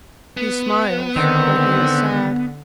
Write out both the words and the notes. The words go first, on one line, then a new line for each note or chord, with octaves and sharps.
He smiles, but he is sad.
B3
D3 D#3 C4